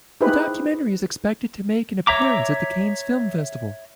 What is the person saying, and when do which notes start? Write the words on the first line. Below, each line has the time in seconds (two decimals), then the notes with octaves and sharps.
The documentary is expected to make an appearance at the Cannes film festival.
0.21 D#4 E4 G4 G#4 B4 C5
2.07 C#5 E5 A#5 D6